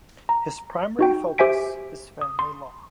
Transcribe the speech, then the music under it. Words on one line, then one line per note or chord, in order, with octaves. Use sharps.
His primary focus is family law.
A#5
D#4 F#4 G5
G4 C5 E5 G#5 B6 D7
D#6
C6